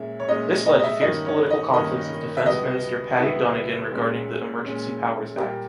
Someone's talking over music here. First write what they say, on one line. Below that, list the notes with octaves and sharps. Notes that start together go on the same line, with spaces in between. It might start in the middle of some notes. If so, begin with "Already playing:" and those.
This led to fierce political conflicts with defense minister Paddy Donegan regarding the Emergency Powers Act.
Already playing: A#2 G#3 C#4 E5
C#5
A#2 G#3 C#4 D#5
D#5
D#5
E5
G2 D#3 A#3 C#4 D#5
C#5
D#5
G2 D#3 A#3 C#4 D#5
E5
C#2 B2 G3 B3 D#5
C#2 B2 G3 B3 E4
A#2 G#3 C#4
A#2 G#3 C#4
A#2 G3 A#3 G4